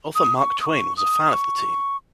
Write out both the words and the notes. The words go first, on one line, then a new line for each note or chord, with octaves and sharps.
Author Mark Twain was a fan of the team.
D#6
C#6
D#6
C#6
D#6
C#6